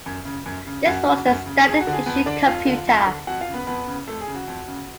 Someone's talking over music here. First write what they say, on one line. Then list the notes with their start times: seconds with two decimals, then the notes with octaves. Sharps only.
This was the standard issue computer.
0.06 F#2
0.25 C#3
0.46 F#2
0.67 C#3
0.86 F#2 F#4
1.06 C#3
1.26 F#2
1.46 C#3
1.67 F2 G#4
1.80 F#4
1.87 D3
1.93 G#4
2.06 F2 B3 B4
2.26 D3 D4 D5
2.46 F2 F4 F5
2.67 D3
2.87 F2
3.06 D3
3.27 F2 F#4 F#5
3.41 F4 F5
3.48 C#3
3.54 B3 B4
3.67 F2 B3 B4
3.87 C#3
4.07 F2 A3 A4
4.21 G#4
4.28 C#3
4.34 F#4
4.47 F2
4.68 C#3